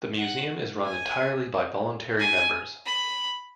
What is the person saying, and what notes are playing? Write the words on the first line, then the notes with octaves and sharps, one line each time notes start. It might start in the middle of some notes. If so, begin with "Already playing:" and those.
The museum is run entirely by voluntary members.
F#5
G#5
G#5
B5